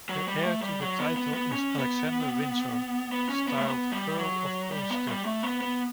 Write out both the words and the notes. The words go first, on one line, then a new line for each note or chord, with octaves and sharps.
The heir to the title is Alexander Windsor, styled Earl of Ulster.
F#3
G3
A3
G3
F#3
B3
B3
B3
C#4
B3
B3
C#4
B3
A3
B3
G3
F#3
G3
B3
G3
A3
B3
B3